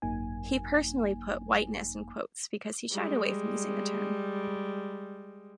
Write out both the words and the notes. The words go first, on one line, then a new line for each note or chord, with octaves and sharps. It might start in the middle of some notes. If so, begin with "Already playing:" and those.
He personally put "whiteness" in quotes because he shied away from using the term.
G#1 F#2 F#3 A#3 D#4 G#5
G3 G#3